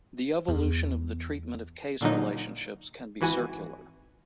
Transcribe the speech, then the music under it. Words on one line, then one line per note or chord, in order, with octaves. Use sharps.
The evolution of the treatment of case relationships can be circular.
E2
A#2 D3 F#3 D#4
G#1 E3 F#4 G#5